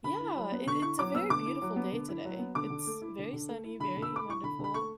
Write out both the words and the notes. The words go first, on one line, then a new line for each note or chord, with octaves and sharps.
Yeah. It it's a very beautiful day today. It's very sunny, very wonderful.
D3 B5
E4
F#3
B3
D3 C#6
E4 C#6
F#3 D6
B3 E6
D3 D6
E4
F#3
B3
D3
E4
F#3
B3
D3 D6
D3
A3
E4
D3
D3
A3
E4
D3 B5
D3
E6
A3 D6
E4 C#6
D3 B5
D3
B5
A3 C#6